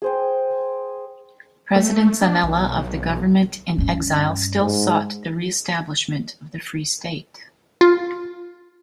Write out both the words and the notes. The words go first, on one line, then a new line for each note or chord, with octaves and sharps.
President Zanella of the government-in-exile still sought the re-establishment of the Free State.
G#4 C5 G5
A3
D4
B1
G2 C#4
G#2
F4